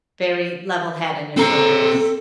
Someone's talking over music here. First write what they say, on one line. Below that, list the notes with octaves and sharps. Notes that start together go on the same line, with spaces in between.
very level head on your shoulders.
C4 A4 A#5